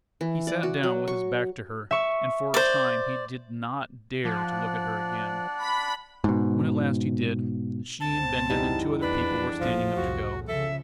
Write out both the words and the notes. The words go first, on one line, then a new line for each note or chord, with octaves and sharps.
He sat down with his back to her, and for a time he did not dare to look at her again. When at last he did, she and Bindon and two other people were standing up to go.
E3
D5
F#4
F#3
C#6
E5 C#6
C5 D5
F3 D4 D5 F#5
B5
G#2 B2
C#2 G2 C4 A5
E2 G3 D#4
F2 D4 B4
A1 F3 A3
C2 F2 A2 F#4
C#3 F3 A4 E5